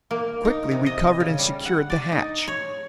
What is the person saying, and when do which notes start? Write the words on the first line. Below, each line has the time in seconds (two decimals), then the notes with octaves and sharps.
Quickly we covered and secured the hatch.
0.11 A#3
0.45 D#4
0.71 C3
0.86 D#5
1.20 C#3
1.38 G3
1.65 F#5
1.90 D5
2.12 D#4
2.48 C#5